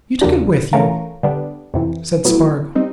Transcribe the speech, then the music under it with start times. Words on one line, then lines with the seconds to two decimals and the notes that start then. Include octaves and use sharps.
"You took it with you?" said Spargo.
0.21 E2 C#3 F3 A#3 D4
0.73 E3 A3 C#4 F4 A#4
1.23 D3 G3 B3 D4
1.74 F2 C3 E3
2.25 A2 F#3 B3 E4
2.75 G3 C4 D#4